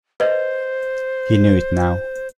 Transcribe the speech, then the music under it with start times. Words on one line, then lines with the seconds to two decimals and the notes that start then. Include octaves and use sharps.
He knew it now.
0.20 B4 C5 D#5